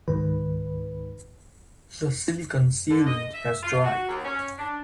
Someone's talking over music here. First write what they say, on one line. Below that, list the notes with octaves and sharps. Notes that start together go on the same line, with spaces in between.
The silicon sealant has dried.
C#2 G#2 D#3 B4
D3
D#5
E5
F4
F#4
D#2
C#4
D4